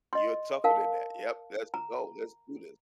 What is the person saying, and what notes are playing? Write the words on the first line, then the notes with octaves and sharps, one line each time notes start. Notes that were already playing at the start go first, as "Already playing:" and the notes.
You're tougher than that. Yep. Let's go. Let's do this.
D#5 C6
A#4 F5 A5
A#5